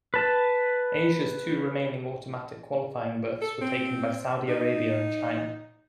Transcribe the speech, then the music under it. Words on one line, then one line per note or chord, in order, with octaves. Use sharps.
Asia's two remaining automatic qualifying berths were taken by Saudi Arabia and China.
B4 A5
A4
C4
D#4